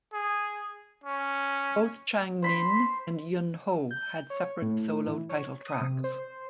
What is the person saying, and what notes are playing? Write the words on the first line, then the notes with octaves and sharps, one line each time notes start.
Both Changmin and Yunho had separate solo title tracks.
G#4
C#4
C5 B5 C6
G6
C#5
A2
E3
C#5
D#6
C3
C5